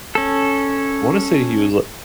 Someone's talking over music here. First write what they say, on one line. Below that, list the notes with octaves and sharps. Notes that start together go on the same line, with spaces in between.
I wanna say he was li
C#4 A4